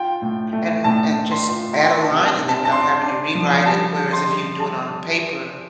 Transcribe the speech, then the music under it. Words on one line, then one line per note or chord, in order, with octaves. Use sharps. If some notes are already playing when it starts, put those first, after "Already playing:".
and and just add a line in there without having to rewrite it whereas if you do it on paper,
Already playing: F4 G5
A2
A3
A2 A5
A2
C6
F4
D4 C6
A5
C3
A5
C3
A5
A5
D4 C6
D4
F3
G3 A5
D3
C6
G3
G3 A5